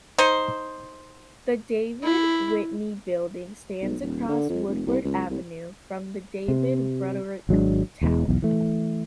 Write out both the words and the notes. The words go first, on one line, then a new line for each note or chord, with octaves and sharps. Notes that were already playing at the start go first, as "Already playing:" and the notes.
The David Whitney Building stands across Woodward Avenue from the David Broderick Tower.
D#4 C5
E4
B1
D#1
D3
F2
F1
C2
C#2
C2
C3
G#1 F#3 G#3 D4
E1 E2 E3 G#3
B1 E2
E3 A3